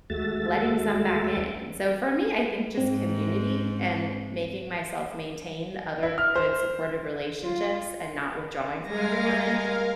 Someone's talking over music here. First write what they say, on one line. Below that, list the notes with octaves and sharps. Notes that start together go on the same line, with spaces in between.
letting some back in. So, for me, I think just community and making myself maintain other good supportive relationships and not withdrawing from everyone
D#2 G#3 A3 F#4 E5 A6
G#2 C4
E4
F6
C5
F4
G3 G#3 A#4 F5 A#6